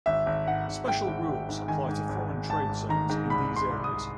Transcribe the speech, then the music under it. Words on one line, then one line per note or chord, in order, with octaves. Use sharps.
Special rules apply to foreign trade zones in these areas.
G#1 E5
G#1
G#2 F#5
G#1
G#2 G5
G#1
G#1
G#2
D#3 G#5
G#2
G#1
G#1
G#1 A5
G#1
D#3 A#5
G#2
C2 B5
C2
C6
C2
D#6
C2